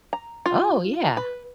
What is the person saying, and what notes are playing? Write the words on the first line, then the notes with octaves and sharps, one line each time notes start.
Oh, yeah.
A#5
F4
B4